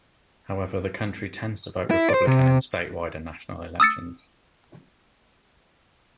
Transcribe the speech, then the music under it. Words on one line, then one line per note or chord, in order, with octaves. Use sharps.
However, the county tends to vote Republican in statewide and national elections.
E4
C5 D5
C3
D#6 E6 A6 C#7